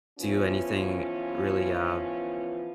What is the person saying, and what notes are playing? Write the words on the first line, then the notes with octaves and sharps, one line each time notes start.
do anything really, uh,
E3 F3 B3 C#4 F4